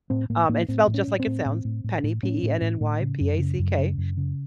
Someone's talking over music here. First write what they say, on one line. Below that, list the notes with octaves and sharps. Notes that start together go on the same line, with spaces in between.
Um, and spelled just like it sounds, Penny, P-E-N-N-Y P-A-C-K,
A2 C4
A2 A#3
A2 A#3
A2 C4
A2
C#4
A2
C4
A2
A2
A2
A2
A2
A2 C#4
A2
A2
A2
C#3
F#2
C#3
F#2
C#3
F#2
C#3